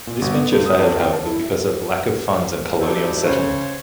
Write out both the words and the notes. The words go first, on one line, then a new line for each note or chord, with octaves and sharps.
This venture failed, however, because of lack of funds and colonial settlement.
A#2
G1
B3
G2
D#6
F2
G5
A5
E4
F#3 D#4 E4 G4 A4 D5
C#3 C5 C#5